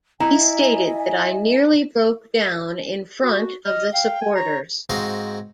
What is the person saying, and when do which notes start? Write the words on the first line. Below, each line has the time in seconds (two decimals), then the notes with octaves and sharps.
He stated that I nearly broke down in front of the supporters.
0.20 E4 D#5 E5 G#5 A#5
3.23 F#4
3.66 D#5 F6
3.93 F5 G5
4.22 G#5
4.35 C#5 A#5
4.90 G#2 C4 F#4 D#5 F5